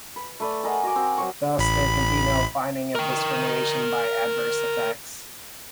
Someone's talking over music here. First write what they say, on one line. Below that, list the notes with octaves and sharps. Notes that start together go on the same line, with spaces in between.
Thus, there could be no finding of discrimination by adverse effects.
B4
A3 B4 D5
G#4 A#4 D#5 F#5
F#4 D#5 G#5 D6
C4 F#4 G#4
F#3 C5 F5 C#6
A1 B5
A#4 G5